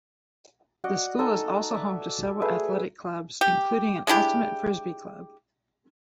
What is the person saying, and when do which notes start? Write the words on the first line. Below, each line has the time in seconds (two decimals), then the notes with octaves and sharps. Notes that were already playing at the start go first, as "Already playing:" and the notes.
The school is also home to several athletic clubs, including an Ultimate Frisbee Club.
0.84 F#4 D5 D#5 F#5
1.19 D#4 A4 D#5 G#5
1.71 D5 E5
2.42 A3 G#4 B4 E5
3.41 G4
4.07 G#3 D4 E4 G4